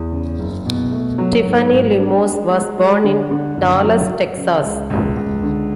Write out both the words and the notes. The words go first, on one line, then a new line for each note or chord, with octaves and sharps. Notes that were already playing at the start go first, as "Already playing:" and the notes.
Tiffany Limos was born in Dallas, Texas.
Already playing: E2
C#3
F#1
B2
A3
F#3
G#2
G#1
D4
G#3
G#3
G#3
D3
D3
F#1
F#3
F#3
C#3
C#2
C#2
C#2
D3